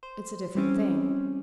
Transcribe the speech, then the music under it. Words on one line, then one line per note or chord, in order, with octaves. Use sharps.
It's a different thing.
C5
G3 C4 C#4